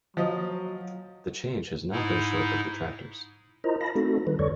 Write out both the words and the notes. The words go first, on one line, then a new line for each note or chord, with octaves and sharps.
The change has not been short of detractors.
F3 F#3 D#5
G#2 D#4 E4
E4 F4 A#4 C5 D#5 A#5
F5 A5 B5 A#6
A3 C4 D#4 F#4 A4
D#3 G3 B4
F2 D3 A4 C#5 D5 C#6